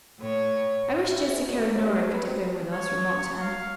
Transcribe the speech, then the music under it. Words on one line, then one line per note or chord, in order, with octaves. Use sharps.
"I wish Jessica and Nora could have been with us," remarked Anne.
A2 C#5
E4
G#2
B2
E3
D#2
G3
G#2
B4
C4
C#5
C#5
F5